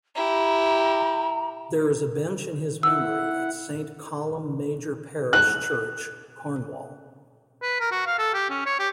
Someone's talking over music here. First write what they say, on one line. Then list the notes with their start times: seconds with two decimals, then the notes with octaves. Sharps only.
There is a bench in his memory at Saint Columb Major Parish Church, Cornwall.
0.15 E4 G4 A#5
2.83 E4 F#5 E6
5.33 F#6
7.62 B4
7.80 A#4
7.91 F#4
8.06 F5
8.18 A4
8.34 G4
8.50 C#4
8.66 C#5
8.79 G4